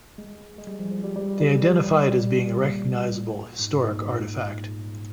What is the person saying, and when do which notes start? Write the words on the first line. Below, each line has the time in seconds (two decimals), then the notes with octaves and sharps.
They identify it as being a recognizable historic artifact.
0.18 G#3
0.58 G#3
0.67 G3
0.79 F3
0.91 F3
1.04 G3
1.16 G3
1.40 G3
1.64 G3
2.62 A#2
3.59 G#2
3.75 G#2
3.91 A#2